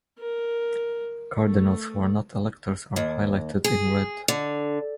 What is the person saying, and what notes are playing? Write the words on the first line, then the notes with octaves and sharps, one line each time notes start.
Cardinals who are not electors are highlighted in red.
A#4
A3
D#2
G#4
D3